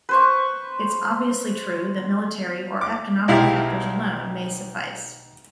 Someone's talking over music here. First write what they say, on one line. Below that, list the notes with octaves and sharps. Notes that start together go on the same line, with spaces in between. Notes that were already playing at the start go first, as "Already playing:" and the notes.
It's obviously true that military or economic factors alone may suffice.
B4 C5 C#6
D6
B1 G#3 E4 G4 F5